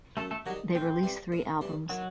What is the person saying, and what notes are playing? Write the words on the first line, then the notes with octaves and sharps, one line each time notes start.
They've released three albums.
F#2 A3 A4
A3 A4
D#3 F#3 G3 D#4 F#4
A2 C4
E3 G3
A2
E3 G3
D#3 F#3 F#4